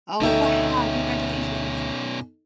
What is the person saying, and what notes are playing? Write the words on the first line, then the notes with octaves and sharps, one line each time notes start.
Oh, wow! Congratulations.
D2 B2 C#4 D#4 A4 E5 G5